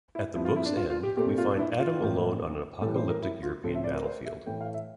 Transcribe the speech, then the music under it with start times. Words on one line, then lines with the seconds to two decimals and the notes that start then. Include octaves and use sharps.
At the book's end, we find Adam alone on an apocalyptic European battlefield.
0.15 E4
0.35 G2 F3 C4 E4
0.45 F4
0.56 E4
0.66 D4
0.77 F4
0.90 F4
1.03 G4
1.17 A#2 A3 C4 G4
1.38 F4
1.51 D4
1.59 E4
1.79 F4
2.00 A2 E3 A#3
2.81 A2 E3 G3 A4
2.96 C5
3.09 A#4
3.22 E4
3.43 F4
3.64 A2 F3 C4 A4
3.75 E5
3.84 D5
3.95 A#4
4.05 C5
4.25 E5
4.46 A2 E3 A3 G5
4.61 F5
4.74 E5